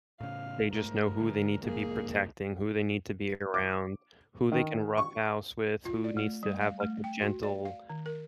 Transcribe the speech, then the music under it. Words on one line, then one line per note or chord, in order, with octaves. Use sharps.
they just know who they need to be protecting, who they need to be around, who they can roughhouse with, who needs to have like a gentle
A2 C#3 F5
G#2 A3 A#4
D3 G#3
F1 G#2 A#3 G#4
D6
D#3
C#6
F4
D5
A3
G3
F5
A3
G5
F#4
D5
F5
D#3
A#4